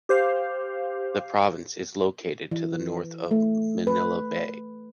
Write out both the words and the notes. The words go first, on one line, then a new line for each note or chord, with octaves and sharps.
The province is located to the North of Manila Bay.
G4 C5 F5
E3
A3
B4